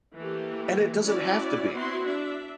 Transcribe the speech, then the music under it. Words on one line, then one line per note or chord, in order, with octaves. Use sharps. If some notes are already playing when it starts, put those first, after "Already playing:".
and it doesn't have to be.
E3 A3 A#3 G4
C#4 E4 F#4 D5
B3 C4 E4 F#4 C6
D4 E5